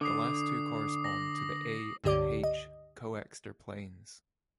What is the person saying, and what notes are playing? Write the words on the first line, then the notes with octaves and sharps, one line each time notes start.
The last two correspond to the A and H Coxeter planes.
D3 D6 D#6 C7
A#6 F#7
C#2 G2 D3 G4 D5 D6
D#5